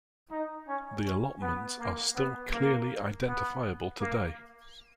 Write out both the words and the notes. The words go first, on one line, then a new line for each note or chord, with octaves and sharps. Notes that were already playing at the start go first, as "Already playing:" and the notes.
The allotments are still clearly identifiable today.
D#4
C#4
C#4
B3
A#3
B3
A#3
B3
A#3